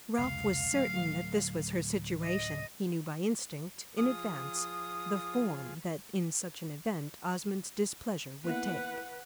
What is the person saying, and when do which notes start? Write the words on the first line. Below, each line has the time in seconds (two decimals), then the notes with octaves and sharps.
Ralph was certain that this was her situation; he knew by instinct, in advance, the form that in such an event Osmond's displeasure would take.
0.18 F1 C#2 F5
0.73 D1 F#3 A3
2.22 D#5
3.98 F3 F4 G#4 D#6
8.44 A#3 B3 E4 B4 F#5